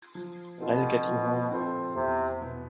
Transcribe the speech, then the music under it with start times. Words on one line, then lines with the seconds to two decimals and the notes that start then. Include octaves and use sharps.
I'll get you home.
0.15 F3
0.60 B2 C4 F4 A4 C5
1.06 F3
1.51 C4 F4 A4 C5
1.95 E2 C3
2.40 B2 B3